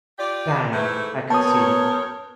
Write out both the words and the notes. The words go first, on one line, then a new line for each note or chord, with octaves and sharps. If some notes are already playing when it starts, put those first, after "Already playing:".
"Bad," I conceded.
F4 G4 D5
G#2 E3 A3
F#2 B3 A#4 C#5 A5 D#6